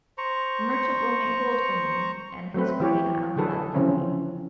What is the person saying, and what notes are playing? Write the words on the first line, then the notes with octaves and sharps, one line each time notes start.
The merchant will make gold for me And his queen I'll gladly be.
C5 A#5 C#6
F#3 A3 C4 B4
E3 G4 C#5
D3 F#3 G#4 A4 B4
C#3 E3 F3 C4 C#4